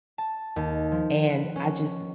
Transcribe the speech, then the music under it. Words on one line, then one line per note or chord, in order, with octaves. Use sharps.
and I just
A5
D#2
F3
B4
C#4